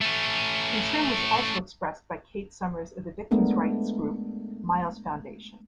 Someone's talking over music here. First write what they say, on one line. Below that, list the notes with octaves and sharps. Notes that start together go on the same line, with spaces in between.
Concern was also expressed by Kate Summers of the victims rights group Miles Foundation.
A3 C#4
G#3 A3 B3 D4 A#4